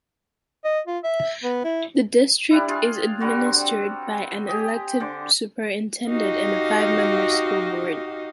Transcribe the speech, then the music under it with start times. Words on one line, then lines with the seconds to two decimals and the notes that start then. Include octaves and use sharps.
The district is administered by an elected superintendent and a five-member school board.
0.64 D#5
0.87 F4
1.04 E5
1.43 B3
1.64 E4
2.50 G3 D4 E4
2.68 F4 G#4 F5
3.20 D3 G3 F#4
3.45 C4
4.48 G4 G#4 D#5
5.00 D3 C5 D6
6.09 D#4 F#4 G4 D#5 F5